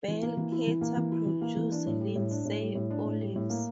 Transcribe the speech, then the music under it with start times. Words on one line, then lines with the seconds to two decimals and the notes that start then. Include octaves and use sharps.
Bell Carter produces Lindsay Olives.
0.08 E3
0.23 A#3
0.37 E3
0.52 E4
0.67 E3
0.81 A#3
0.97 E3
1.12 E4
1.26 E3
1.41 A#3
1.57 E3
1.72 D4
1.87 A2
2.01 G3
2.15 A2
2.31 D4
2.45 A2
2.60 G3
2.75 A2
2.90 D4
3.05 A2
3.21 G3
3.36 A2
3.50 A#3